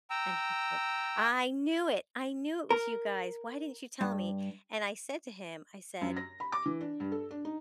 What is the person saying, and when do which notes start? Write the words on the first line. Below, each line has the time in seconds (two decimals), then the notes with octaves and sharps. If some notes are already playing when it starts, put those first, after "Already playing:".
and he said, "I knew it! I knew it was you guys. Why didn't you tell me?" and I said to him, I said,
0.10 G5 A#5 E6
2.70 A#4
4.01 G2
6.01 F#2
6.17 A#6
6.40 B5
6.52 D6
6.66 E3
6.81 D4
7.00 G2
7.12 A4
7.31 D4
7.45 D#4